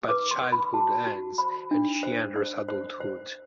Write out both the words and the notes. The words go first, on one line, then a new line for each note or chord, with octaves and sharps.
But childhood ends and she enters adulthood.
B4 D6
C6
B4
B5
F#4 A5
F#4
C5 B5
D4
C5
C5
C5
C5